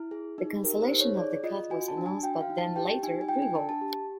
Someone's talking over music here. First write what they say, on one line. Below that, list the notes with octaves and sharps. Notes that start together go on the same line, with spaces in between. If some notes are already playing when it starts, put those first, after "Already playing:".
The cancellation of the cut was announced but then later revoked.
Already playing: E4
G#4
D#4
G4 A#4
C5
D#4
C#5
G#4 D5
F4 D#5
F#4 G#5
A5
D4
G#5
F#4 G5
F5
D#4
A5
G4 G5
D#4 G#5
G#5
F4 G5
G#5
D4 A5
A5
G4